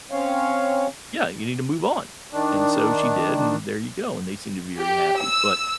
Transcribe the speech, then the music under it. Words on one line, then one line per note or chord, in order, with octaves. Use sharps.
Yeah, you need to move on, and so she did, and there you go, and they seem to be very happy, but,
C4 C#4 C#5 F5
D#3 D4
G4
E6